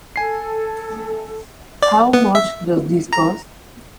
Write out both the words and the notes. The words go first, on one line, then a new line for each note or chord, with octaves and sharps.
How much does this cost?
A4 G#5 C7
D5
B3
E5
A#5